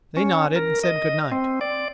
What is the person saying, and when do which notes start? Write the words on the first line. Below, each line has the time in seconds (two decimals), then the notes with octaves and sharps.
They nodded and said good-night.
0.17 C#4
0.56 A#4
0.84 D#5
1.32 C4
1.61 D5